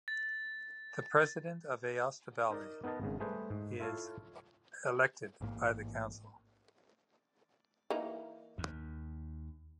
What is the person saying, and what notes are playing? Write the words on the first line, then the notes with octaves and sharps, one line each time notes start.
The President of Aosta Valley is elected by the Council.
A6
D#4 A#4 D5
B3 D#4 A#4 D#5 A5
G#1 G#2 C#3
G3 A3 G#4 B4 C5
G#2
E4 F4 A4 C#5 F5
A1 G#2 A#3
E3 A#3 D#4
D#2